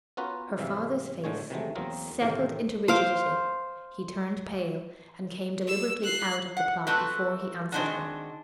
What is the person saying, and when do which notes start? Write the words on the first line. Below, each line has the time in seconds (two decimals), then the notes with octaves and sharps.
Her father's face settled into rigidity, he turned pale, and came deliberately out of the plot before he answered her.
0.17 B3 C#4 F4 F#4 A#4 B4
0.57 G#2 C3 E3 F#3 E5 F5
1.24 A2 D3 G#3 C#5
1.50 C3 D#3 E3 F#3 G#3 A3
1.75 E2 F#3 A#3 C4 A#4
2.21 E2 A2 C3 D#3 A3 F5
2.88 C5 F5 D6
5.67 E6
6.03 F#6 C7
6.57 F#5
6.87 A3 C4 E4 F#4 B4
7.72 D#3 G#3 C4 D4 F#4